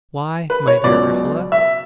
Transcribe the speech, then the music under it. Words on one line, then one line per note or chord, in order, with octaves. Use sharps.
"Why, my dear Ursula?"
B4
C#5
C#2 B2 F#3 D5
E5